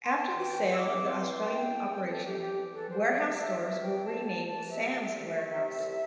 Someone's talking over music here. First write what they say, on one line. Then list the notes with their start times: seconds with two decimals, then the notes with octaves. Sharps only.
After the sale of the Australian operation, Warehouse stores were renamed Sam's Warehouse.
0.04 C6
0.12 C4 A5
0.27 G5
0.32 E3
0.43 G5
0.54 E2
0.73 E6
0.76 E2 D6
0.98 C4
1.09 C6
1.21 E3
1.42 E2 G5
1.64 E2
1.85 C4
2.07 E3 A4
2.24 E2 G4
2.41 G4
2.51 E2
2.72 E3 A4
2.89 C3 C5
3.05 D5
3.17 C2
3.38 C2 E5
3.60 E3 E5
3.82 C3 G5
4.04 C2 A5
4.25 C2 A5
4.47 E3 A5
4.69 C3 E5
4.90 C2
5.13 C2
5.35 A3
5.56 C3
5.79 C2